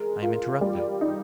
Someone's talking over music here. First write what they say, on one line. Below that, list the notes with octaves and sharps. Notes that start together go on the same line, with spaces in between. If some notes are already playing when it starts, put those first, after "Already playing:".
I am interrupted.
Already playing: G#3 A#4
F4
G3
D#4